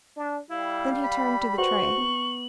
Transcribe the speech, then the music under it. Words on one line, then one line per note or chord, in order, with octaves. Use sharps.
Then he turned to the tray.
D4
G3 E4 F5
B5
F#4 B4 C5 C#6 F#7
B3